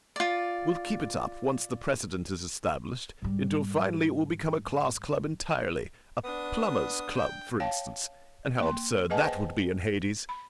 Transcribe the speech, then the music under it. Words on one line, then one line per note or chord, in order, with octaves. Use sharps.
We'll keep it up, once the precedent is established, until finally it will become a class club entirely--a Plumbers' Club, for instance--and how absurd that would be in Hades!
F4 D5
G#2 G3
B3 D4 D#6
G5
C#5 F5 G5 A5
A#3 G5 C6
G#4 B4 D#5 F#5 G#5 A5
C5 G5
B5